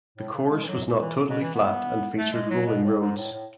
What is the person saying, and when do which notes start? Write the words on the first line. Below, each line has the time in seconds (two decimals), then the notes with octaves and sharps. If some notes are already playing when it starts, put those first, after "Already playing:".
The course was not totally flat and featured rolling roads.
0.17 A2
0.33 C#3
0.50 G#3
0.63 E3
0.68 F#3
1.01 E3
1.29 B2
1.42 E3
1.54 B3
2.17 A3
2.33 G#3
2.50 F#3
2.66 B2
2.84 A2
3.00 G#2
3.16 A2
3.33 A2